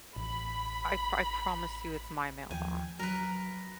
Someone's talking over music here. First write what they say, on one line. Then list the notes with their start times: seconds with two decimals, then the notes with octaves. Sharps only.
I I promise you it's my mailbox.
0.16 A1 B5
2.51 D#2 F3 G5 G#5
2.99 F#3 A#4 B4